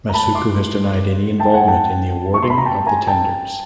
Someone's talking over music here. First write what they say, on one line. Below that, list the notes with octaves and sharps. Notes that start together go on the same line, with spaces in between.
Masuku has denied any involvement in the awarding of the tenders.
A#5
A5 B5
C6 D6
G5 A5
F#5 G#5
G5 A5
C#6
C6
B5
A#5
G5 A5
G#5 A#5
G5 A5